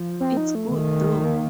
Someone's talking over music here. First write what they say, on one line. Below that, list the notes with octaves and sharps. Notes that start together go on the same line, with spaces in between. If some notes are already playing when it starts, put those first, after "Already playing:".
It's good though!
Already playing: F3
C4
D#4
A3
D#3
A#3